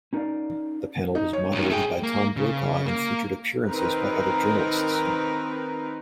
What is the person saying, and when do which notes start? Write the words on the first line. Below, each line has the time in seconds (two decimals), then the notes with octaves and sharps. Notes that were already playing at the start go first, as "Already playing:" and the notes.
The panel was moderated by Tom Brokaw and featured appearances by other journalists.
0.13 C#4 D#4 A#4 C5 D5 F5
1.15 D#4
1.33 C#5
1.53 D2 D#3
1.70 A3 G#4 G5
2.03 A#3
2.36 C#3
2.86 A#3
3.67 D#3 C4 D#4 A#4 B4